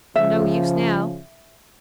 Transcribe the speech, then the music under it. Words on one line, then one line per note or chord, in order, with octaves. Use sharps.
No use now.
C#3 F3 E5